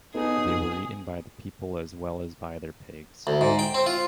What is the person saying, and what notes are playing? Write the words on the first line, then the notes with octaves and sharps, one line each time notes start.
They were eaten by the people as well as by their pigs.
B3 D#4 G#4 A4
D2
G#2
G5
C4
F4